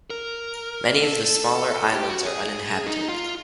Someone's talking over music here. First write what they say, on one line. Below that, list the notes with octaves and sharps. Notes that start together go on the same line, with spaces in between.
Many of the smaller islands are uninhabited.
A#4
A4
G4
F#4
G#4
D#4
F4